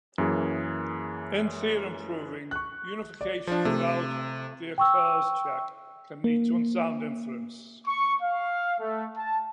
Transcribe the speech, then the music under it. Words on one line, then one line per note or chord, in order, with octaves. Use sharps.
In theorem proving, unification without the occurs check can lead to unsound inference.
F#2 E3 A#3 G#4
C#6 F#6
D5
F3 D4 F4
C3 A3
G5 C#6 E6
A#3
C#6
F5
A3
A5